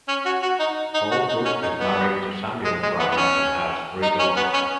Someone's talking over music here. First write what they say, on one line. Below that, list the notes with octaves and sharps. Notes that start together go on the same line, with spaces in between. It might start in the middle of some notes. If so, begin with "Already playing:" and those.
Holbrook is married to Samuel Brown and has three daughters.
C#4
F#4
F#4
D#4
D#4
F#4
D#4
C#4
D#4
B3
G#3
G#3
B3
B3
C#4
D#4
C#4
B3
C#4